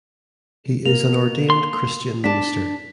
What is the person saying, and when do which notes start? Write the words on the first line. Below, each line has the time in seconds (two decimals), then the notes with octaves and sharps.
He is an ordained Christian minister.
0.85 A#3 F7
1.50 C6
2.24 D4 A5 B6